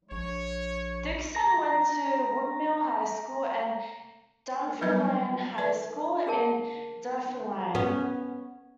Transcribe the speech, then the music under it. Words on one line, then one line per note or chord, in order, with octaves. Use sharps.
Dickson went to Woodmill High School and Dunfermline High School in Dunfermline.
A#1 C#5
A#5 A#6
F#3 G3 B3 A#4 B4 D#5
B4 D5
D4 G#4 A#4 A5
B3 C#4